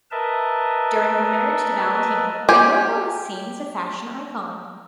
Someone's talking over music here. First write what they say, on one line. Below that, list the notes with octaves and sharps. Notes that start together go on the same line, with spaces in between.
During her marriage to Valentino, Rambova was seen as a fashion icon.
A#4 B4 D#5 E5 A5
G4 G#5